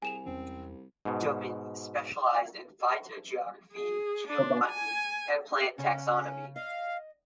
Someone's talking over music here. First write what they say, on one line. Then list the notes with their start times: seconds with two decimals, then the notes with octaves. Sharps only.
Domin specialised in phytogeography, geobotany and plant taxonomy.
0.02 C2 G#4 G#5 E7 F7
0.26 E2 G#3 C4 C#4
1.05 G#2 B2
3.73 G#4
4.27 D4
4.68 G#5
5.78 C#3 C#4
6.56 D#5 F5